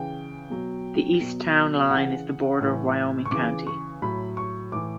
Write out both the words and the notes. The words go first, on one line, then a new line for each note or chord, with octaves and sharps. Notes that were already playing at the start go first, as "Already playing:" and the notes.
The east town line is the border of Wyoming County.
Already playing: C#3 E3 G5
B2 F#3
B2 F#3
C#3 E3 F#5
A2 E3
C#6
C#3 E3 D6
C#6
A2 F#3 B5
C#6
A2 E3 D6